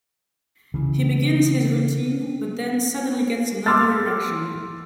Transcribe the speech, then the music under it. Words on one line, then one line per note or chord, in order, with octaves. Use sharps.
He begins his routine, but then suddenly gets another erection.
C#3 E3
C6 D6 E6 F6 A6